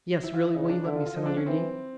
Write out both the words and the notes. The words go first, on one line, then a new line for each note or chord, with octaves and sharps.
Yes, really, will you let me sit on your knee?
E4
F4
E4
C#3 D#4
C#4
D4
D3 E4
F4
F4
F3 D#4
D4
C#4
E3 C4